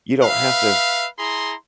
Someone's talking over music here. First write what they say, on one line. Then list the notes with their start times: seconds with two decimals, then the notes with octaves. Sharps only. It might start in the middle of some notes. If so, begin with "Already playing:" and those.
You don't have to
0.22 B4 E5 F5
1.19 E4 G#4 A#5 C6